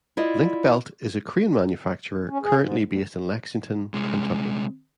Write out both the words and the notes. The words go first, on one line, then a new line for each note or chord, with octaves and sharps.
Link-Belt is a crane manufacturer currently based in Lexington, Kentucky.
E4 F4 D5 D#5
C#4
G#4
G#2
D2
C2 G#3